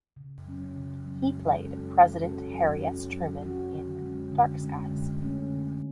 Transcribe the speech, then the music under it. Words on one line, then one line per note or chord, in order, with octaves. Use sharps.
He played President Harry S. Truman in "Dark Skies".
C#3
F#3 C#4
C#3
F#3 C#4
G#3
C#4 F#4 A4
G#3
C#4 F#4 A4
F#3
C#4 F#4
F#3
C#4 F#4
D3
G#3 C#4
D3
G#3 C#4
D3
A3 C#4
D3